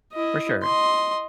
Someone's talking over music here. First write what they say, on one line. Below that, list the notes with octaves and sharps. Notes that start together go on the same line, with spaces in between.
For sure.
E4 D#5
D#5 C6